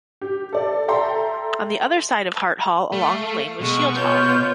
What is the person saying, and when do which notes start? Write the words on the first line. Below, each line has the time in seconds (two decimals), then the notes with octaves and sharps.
On the other side of Hart Hall along the lane was Shield Hall.
0.21 G4
0.53 A4 D5
0.88 A4 E5 G5 A#5 C6
2.92 A3 F5
3.61 B2 G#3 C#6
3.95 B3 F4 C#5 G6